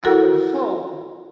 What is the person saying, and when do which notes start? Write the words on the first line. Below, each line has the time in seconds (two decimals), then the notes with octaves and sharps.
I would hope
0.05 E4 F#4 A4 A#4 F#5